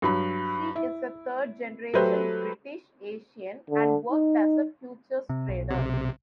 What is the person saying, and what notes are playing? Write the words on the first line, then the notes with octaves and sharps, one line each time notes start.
She is a third-generation British-Asian and worked as a futures trader.
G2 F#3 B5
E4
F#3 A3 G4 B4 C5
D3
D#4
C3
B1
C3